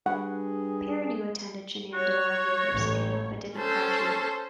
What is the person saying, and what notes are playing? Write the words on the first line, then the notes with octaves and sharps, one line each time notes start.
Perrineau attended Shenandoah University, but did not graduate.
G2 G#4 F#5
F#4 C#5
A1
C#4 A4 C5